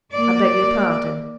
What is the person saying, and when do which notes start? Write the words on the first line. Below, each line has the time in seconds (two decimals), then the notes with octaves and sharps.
I beg your pardon.'
0.14 A#3 D5